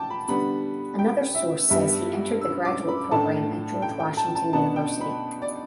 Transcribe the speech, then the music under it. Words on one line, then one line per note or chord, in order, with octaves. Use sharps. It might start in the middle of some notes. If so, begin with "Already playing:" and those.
Another source says he entered the graduate program at George Washington University.
Already playing: G5 A5 D6
B5
D3 G3 B3 B5
G5
E5
G2 G3 B3 E5
E6
D6
B5
A2 A3 D4 A5
G5
G5
A5
A5
B2 B3 D4 A5
G5
B5
D5